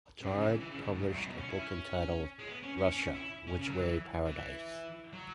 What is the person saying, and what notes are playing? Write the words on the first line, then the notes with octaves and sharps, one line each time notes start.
Attard published a book entitled Russia: Which Way Paradise?
F#2
G#2
C#3
F#3
E3
E3
C#3
G#2
B2
G#2
F#2
E2
F#2
B2
C#4
E4
C#4
G#3
B3
C#4
C#4
C#4
E4
C#4
C#3
F#3
E3
E3
F#3